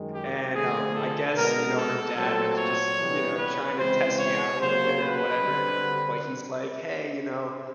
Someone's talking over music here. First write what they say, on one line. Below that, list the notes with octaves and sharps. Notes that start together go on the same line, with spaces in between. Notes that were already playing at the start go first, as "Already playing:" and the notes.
and, um, I guess, you know, her dad was just, you know, trying to test me out, a little bit, or whatever, but he's like, "Hey, you know?
Already playing: F#2 D#3 G#3
G4
D3 F3 A3 C4 G#4
A4
B2 G#3 B3 A#4
A4
A#2 F#3 A3 C4 A4
C#5
C3 E3 G3 B3
B4
C#3 E3 G#3 C4 C5
C#5
C#3 F#3 A#3 C5
B4
D3 G3 C4